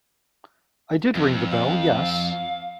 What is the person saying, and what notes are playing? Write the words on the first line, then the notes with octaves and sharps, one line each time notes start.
I did ring the bell, yes.
F2
F5